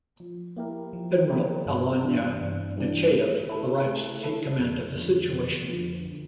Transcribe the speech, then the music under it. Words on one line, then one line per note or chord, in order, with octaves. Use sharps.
Admiral Alynna Nechayev arrives to take command of the situation.
F3
A#3 E4 G4 A#4
F3
A#3 E4 G4 A#4
G2
E3 G3 D4
G2
E3 G3 D4
A3
E4 A4
A3
E4 A4
F2
D3 F3
F2
D3 F3
D3